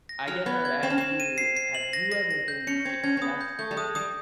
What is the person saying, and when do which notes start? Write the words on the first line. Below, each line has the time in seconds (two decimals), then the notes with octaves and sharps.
I guess I would ask you, have you ever been successful
0.09 A#6
0.28 F#3 F6
0.46 B3 G#6
0.65 G#6
0.83 C4 E7
0.90 C#4
0.98 C4 E7
1.20 D#7
1.38 C7
1.57 C7
1.75 F#7
1.93 A#6
2.12 A#6
2.31 A#6
2.48 G6
2.67 C#4 C#7
2.85 C4 G#6
3.04 C#4 G#6
3.17 C4
3.22 B3 D#6
3.41 G6
3.59 A3 G6
3.71 G3
3.77 G#3 D#6
3.95 G3 D#6